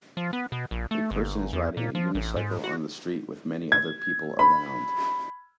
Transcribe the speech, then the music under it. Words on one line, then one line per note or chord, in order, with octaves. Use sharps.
A person is riding a unicycle on the street with many other people around.
F3
B3
B2
A#1
A3
G1
E2
A#2
F3
A1
G#2
F#4
G#6
B5